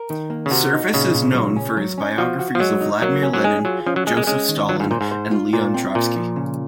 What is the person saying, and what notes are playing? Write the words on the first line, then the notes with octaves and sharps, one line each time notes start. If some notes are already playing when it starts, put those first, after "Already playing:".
Service is known for his biographies of Vladimir Lenin, Joseph Stalin and Leon Trotsky.
Already playing: A#4
D#3
A#3
C#3
C3 F#4
D#4
A#2 C#3
A#2
F#3
C#4
F#3
C#4
F3 F#4
F#4
F3
F#3 G#3
D#4
F#3 A#3
C#4
F#3
G#3 G#4
F#3 F4
F3 C#4
F#3
G#3 G#4
G#3
G#3 C#4
D#3
F#3 F4
G#2
A#2 C5
G#2
C5
F4
A#2 F4
C4
A#2 F4
F3
C#3